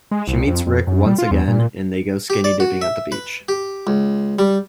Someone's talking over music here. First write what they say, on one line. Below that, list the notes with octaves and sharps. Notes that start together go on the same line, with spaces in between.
She meets Ric once again and they go skinny dipping at the beach.
G#3
C2
F2
F2
F#2
G3
F4
E2
A#2
G4
D5
F#4
E5
B4
G4
C#2
G3